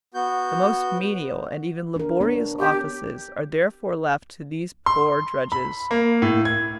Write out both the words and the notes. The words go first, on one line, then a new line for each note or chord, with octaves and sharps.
The most menial, and even laborious offices, are therefore left to these poor drudges.
B3 F#4 G6
D4 A#4
B3 D4 C#5
G4
C6
B5
A#3
A2
G#6